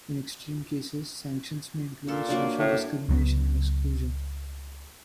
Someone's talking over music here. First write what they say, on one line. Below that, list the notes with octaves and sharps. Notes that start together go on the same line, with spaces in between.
In extreme cases sanctions may include social discrimination and exclusion.
A#2 A#3 A4
F#3 A#3 D4
A2
C#2 F#3 B3